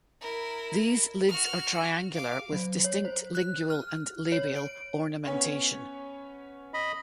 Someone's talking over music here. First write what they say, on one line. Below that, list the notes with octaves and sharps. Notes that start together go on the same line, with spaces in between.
These lids are triangular with distinct lingual and labial ornamentation.
E4 A#4
F#4 F6
F5 D6
F#3
C#5
C5
F#6
F6
C#5
D7
B3 C#4 C#5
D#5 B5